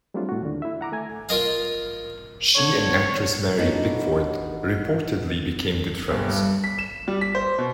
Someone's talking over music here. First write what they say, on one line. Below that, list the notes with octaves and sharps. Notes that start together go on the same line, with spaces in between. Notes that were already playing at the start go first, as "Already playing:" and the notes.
She and actress Mary Pickford reportedly became good friends.
F#3 G3 A3 C4 D4 F4
A2 F#4
D#2 D3
E4 E5
F#5 A#5 D6
A3 G#5 G#6
F4 A#4 D#5 F5
D3 C#5
A#3 B3 D4 D#4 F#4 A4
G1
G2
B6
E7
G3
B6
C5
B2